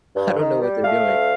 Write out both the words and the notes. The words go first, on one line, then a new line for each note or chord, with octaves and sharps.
I don't know what they're doing,
G2
D#3
G3
A3 F5
D2